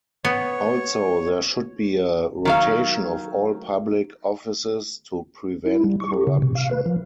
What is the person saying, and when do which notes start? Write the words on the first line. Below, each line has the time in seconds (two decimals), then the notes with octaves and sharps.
Also, there should be a rotation of all public offices to prevent corruption.
0.25 B3 C#5
2.45 D#3 F#3 F5
5.66 E4
5.84 G3
6.00 C#6
6.14 G4
6.27 C#3
6.42 C3
6.55 F5
6.71 B4
6.86 F3